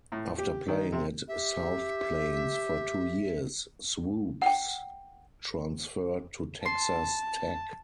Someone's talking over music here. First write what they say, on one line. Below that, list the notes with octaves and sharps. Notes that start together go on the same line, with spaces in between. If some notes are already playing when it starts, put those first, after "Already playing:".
After playing at South Plains for two years, Swoopes transferred to Texas Tech.
A2
G4
D#3
C3
G4 E5
F#5 G5
A5 C6